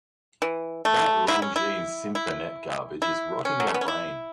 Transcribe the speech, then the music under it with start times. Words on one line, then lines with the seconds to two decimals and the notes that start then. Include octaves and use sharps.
That Longines Symphonette garbage is rotting your brain!
0.42 E3
0.85 A3
1.28 E4
1.42 C#4
1.56 E4
2.15 E4
3.02 E4
3.45 C#4
3.60 F#3
3.67 A3
3.74 B3
3.81 C#4
3.88 E4